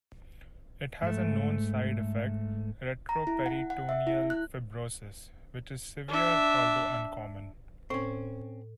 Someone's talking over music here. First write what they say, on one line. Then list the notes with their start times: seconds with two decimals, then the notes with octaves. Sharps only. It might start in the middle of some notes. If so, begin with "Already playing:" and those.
It has a known side effect, retroperitoneal fibrosis, which is severe, although uncommon.
1.02 G#2 A3
3.09 A#5
3.27 E4
3.46 F#5
3.70 F#5
3.89 E5
4.07 E4
4.30 F#6
6.09 D4 E5
7.90 A2 C4 C#4